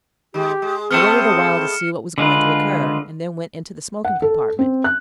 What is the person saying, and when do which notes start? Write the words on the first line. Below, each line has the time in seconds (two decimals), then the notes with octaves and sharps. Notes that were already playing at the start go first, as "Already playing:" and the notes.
I waited awhile to see what was going to occur, and then went into the smoking-compartment.
0.34 D#3 G#3 G4
0.62 G#3
0.91 G#3 A3 B3 C4 F6 C#7 E7
2.18 D3 G#3 F4 B4
4.05 F#5
4.22 A4
4.59 C4
4.84 F#6